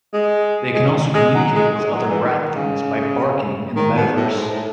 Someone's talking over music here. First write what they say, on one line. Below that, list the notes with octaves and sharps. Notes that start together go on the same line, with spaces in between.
They can also communicate with other Rat Things by "barking" in the Metaverse.
G#3
G#3
G#3
F#3
G#3
G#3
E3
F#3
E3
D#3
D#3
C#3
D#3
B2
A2
G#2
A2